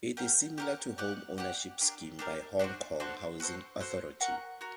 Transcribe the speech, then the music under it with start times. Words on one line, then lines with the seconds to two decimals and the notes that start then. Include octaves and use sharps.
It is similar to Home Ownership Scheme by Hong Kong Housing Authority.
0.17 G4 A#4 F#5
0.58 G4 A#4 F#5
0.98 G4 D5 F#5
1.38 G4 D5 F#5
1.78 D4 G4 A#4
2.19 D4 G4 A#4
2.59 D4 F#4 A4 C5
3.00 D4 F#4 A4 C5
3.40 F#4 A4 C5
3.80 F#4 A4 C5
4.21 F#4 A#4 F#5
4.61 F#4 A#4